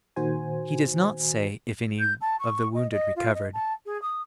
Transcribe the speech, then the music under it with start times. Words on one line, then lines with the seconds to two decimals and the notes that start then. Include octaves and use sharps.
He does not say if any of the wounded recovered.
0.16 A#2 D#3 F#4 C5 G#5
1.99 G6
2.21 A5
2.39 C#6
2.74 D#5
2.91 D#5
3.16 F4
3.34 D#5
3.53 A5
3.85 G#4
4.02 D#6